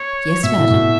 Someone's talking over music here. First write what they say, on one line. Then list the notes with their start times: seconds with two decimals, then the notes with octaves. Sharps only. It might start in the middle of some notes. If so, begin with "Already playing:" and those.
"Yes, madam."
Already playing: C#5
0.43 B2 E5
0.57 A2
0.71 B2